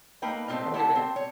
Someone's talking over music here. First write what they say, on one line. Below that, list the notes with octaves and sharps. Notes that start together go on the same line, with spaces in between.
Have a good night.
A3 A#3 D#4 B4 G5
A3 C4 D#4 F4 G4 D#5
E4 G4 A4 F#5 A5
C4
C#5